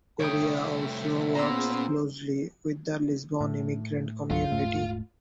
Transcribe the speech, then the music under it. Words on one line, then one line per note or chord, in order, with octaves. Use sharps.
Correia also works closely with the Lisbon immigrant community.
C2 A3 C#5 E5 G5 D#6
A#2 B3 C#4 G#4 C5 A#5 C6 E6
A2
C2 G2 F#3 F4
D#1 G#2 A3